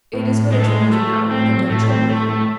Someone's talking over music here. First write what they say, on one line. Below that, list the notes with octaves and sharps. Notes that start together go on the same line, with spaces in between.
"It is better to lose an hour, than to have trouble here."
A2
G#3
A3
G#3
A3
C4
A2 A3
C4
A2 A3
A3